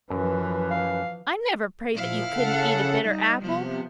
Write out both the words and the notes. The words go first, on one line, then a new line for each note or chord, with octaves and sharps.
I never prayed that you couldn't eat a bitter apple.
F#2 E3 F3 B4
F5
A#2 F3 E4 F5
C#3 A4 F#5
G3 D#4
C3 F3 B3